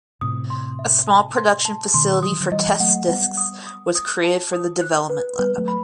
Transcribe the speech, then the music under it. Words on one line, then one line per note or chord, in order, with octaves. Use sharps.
A small production facility for test discs was created for the development lab.
A2 C3 D#6
C6
E5
A5
C6
A5
B2 D#3 C6
F#3 D#6
E3
D#3 F#3
E3 G3 D#5
F#3 A3 F#5
G3 B3 F#5
D#6
D#6
D#6
A5
D#6
F#6
B4
G3 B3 B4
F#3 A3
B5